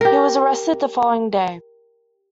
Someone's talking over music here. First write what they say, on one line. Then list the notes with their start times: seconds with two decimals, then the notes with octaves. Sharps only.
He was arrested the following day.
0.01 G4 A#4